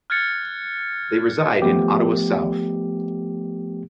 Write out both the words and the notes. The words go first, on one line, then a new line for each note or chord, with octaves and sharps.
They reside in Ottawa South.
F6 F#6 G#6 A6 C#7
F3 A3 B3 G4